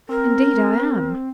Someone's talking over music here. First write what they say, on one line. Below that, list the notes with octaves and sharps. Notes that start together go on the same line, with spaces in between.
"Indeed I am."
C4 A#4